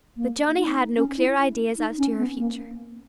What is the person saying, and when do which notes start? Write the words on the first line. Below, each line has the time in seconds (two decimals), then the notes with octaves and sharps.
But Johnnie had no clear ideas as to her future.
0.17 A#3
0.57 D#4
0.97 C#4
1.18 E4
1.78 D#4
1.98 C#4
2.18 B3
2.39 A#3